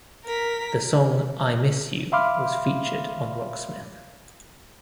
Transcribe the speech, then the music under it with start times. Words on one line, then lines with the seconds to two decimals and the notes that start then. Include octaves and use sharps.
The song "I Miss You" was featured on Rocksmith.
0.25 A#4 B6
2.12 E5 F5 B5 C6 D6 F6